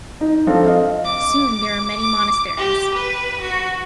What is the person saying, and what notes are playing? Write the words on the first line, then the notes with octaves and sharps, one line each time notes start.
Soon there were many monasteries.
D#4
F3 C4 D4 A4 F5
D#5 F5
D6
D6
G4
B4
F#4